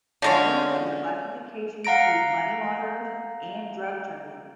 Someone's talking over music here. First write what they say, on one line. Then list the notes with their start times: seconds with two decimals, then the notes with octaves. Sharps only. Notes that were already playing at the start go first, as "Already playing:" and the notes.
Members of the classification include money launderers and drug traffickers.
0.22 D3 G#3 C#4
1.85 F5 F#5 A#5 A#6 D7